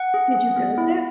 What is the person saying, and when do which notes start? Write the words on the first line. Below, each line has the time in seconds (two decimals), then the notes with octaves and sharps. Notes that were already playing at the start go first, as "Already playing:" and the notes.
Did you build it?
Already playing: F#5
0.14 G#4
0.35 G#4
0.56 B3
0.78 E4